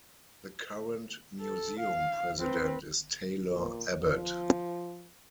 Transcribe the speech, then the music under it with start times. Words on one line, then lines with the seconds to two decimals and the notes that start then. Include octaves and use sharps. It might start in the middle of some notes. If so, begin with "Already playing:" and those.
The current museum president is Taylor Abbott.
1.41 A4
1.80 F5
2.39 C4 B4
3.56 A#2
4.01 F3